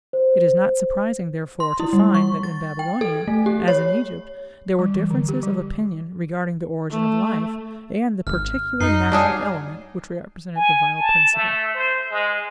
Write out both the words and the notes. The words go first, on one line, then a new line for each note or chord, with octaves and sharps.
It is not surprising, therefore, to find that in Babylonia, as in Egypt, there were differences of opinion regarding the origin of life and the particular natural element which represented the vital principle.
C5
C6
E4
G3
C#6
A6
G5
A4
A3
G4
C#5
G3
E3
D3
G4
G3
A3
G#1 F6
F#2 D#4 C7
F#3 G3 D4 G#4
G#5
A5
A3
C5
G#3